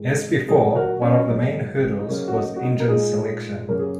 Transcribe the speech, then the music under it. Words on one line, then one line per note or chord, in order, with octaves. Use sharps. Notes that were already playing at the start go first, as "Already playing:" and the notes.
As before, one of the main hurdles was engine selection.
Already playing: G#2 D#3 G#3
D#4
A#2 F#3 A#3 D#4 G#4
F#4 A#4
C#4
G#2 F#3 A#3 D#4
D#4
C#3 F#3 A#3 C#4
F#4
D#4
F#4
D#4
A#4
A#2 G#3 D#4 G#4
F#2 C#3 A#3 A#4
G#4